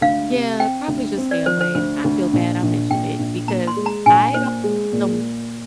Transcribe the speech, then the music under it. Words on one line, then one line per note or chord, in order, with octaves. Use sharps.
yeah, probably just stay away. I feel bad I mentioned it because I don't eat them
D2 F5
C3
C4 G5
D2
C4
D5
F3 C5
C5
D2 C5
D2
A#1
A#1
A#1 G5
A#1
A#2 A#5
C6
G#3
A#5
A#1 G#5
A#2 C5
G#3
A#2